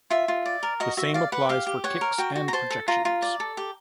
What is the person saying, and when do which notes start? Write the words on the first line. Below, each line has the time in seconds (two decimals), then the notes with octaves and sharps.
The same applies for kicks and projections.
0.10 F4 E5
0.28 F4
0.46 D5
0.63 A#4
0.80 F#4 D#5
0.97 F#4 E5
1.14 D5 F5
1.32 B4 F#5
1.49 G4 F5
1.67 G4
1.84 C#5 F#5
2.01 A#4
2.18 F#4 G5
2.36 F#4
2.48 A#5
2.53 C5 A5
2.70 A4
2.88 F4 A#5
3.05 F4
3.22 D5
3.40 A4
3.57 G4